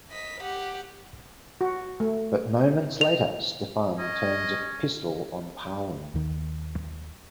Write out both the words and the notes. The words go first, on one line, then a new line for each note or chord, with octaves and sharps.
But moments later Stefan turns a pistol on Pahlen.
D#5 B6
G4 F#5
F#4
A3
F7
C#4 D#5
D#2 D#3